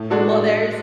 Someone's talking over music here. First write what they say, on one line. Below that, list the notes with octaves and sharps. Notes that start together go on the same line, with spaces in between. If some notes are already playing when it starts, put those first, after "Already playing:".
Well, there's
Already playing: A2
G#3 D4 F#4 A4